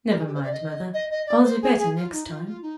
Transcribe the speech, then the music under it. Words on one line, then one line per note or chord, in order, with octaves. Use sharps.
'Never mind, Mother; I'll do better next time.'
A#4
G#4
G4
C5
D5
D#5
D#5
D#5
D5
C5
G#4
G#4
F4
D#4
F4
F4
D#4